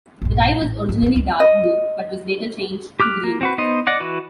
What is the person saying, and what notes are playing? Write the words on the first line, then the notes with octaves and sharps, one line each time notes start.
The tie was originally dark blue but was later changed to green.
A#1 G2
A1
F2 G#2
D#3 C4
C#2
D#5
G4 D6 F6 F#6
A#3
C4 F#4 B4
B3 D#4 C5 D#5
D5 D#5 F#5 D6
E3 F#4 B4